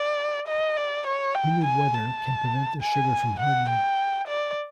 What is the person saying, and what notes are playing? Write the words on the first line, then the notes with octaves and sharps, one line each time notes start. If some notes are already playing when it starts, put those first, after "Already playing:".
Humid weather can prevent the sugar from hardening.
Already playing: D5
D#5
D5
C#5
G5
G#5
A5
G#5
F#5
G5
D5